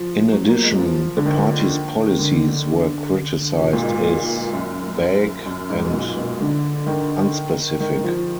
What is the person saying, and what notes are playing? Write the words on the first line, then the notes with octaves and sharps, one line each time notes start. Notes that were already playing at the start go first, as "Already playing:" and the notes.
In addition, the party's policies were criticised as vague and unspecific.
Already playing: F3
F#3
A#3
G#3
F3
D3
D#3
D3
B2
A#2
G#2
F#2
F#2
G#2
B2
A#2
B2
D3
D#3
D#3
D#3
F3